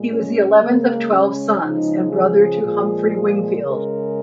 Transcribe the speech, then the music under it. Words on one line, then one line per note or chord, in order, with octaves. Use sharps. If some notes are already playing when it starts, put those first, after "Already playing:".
He was the eleventh of twelve sons; and brother to Humphrey Wingfield.
Already playing: A#2 G#3
C#4
C#3 G#3 A#3
C#4
C#3 F3 G#3 D#4
G#4
A#2 F3 G#3
C#3 G#3 A#4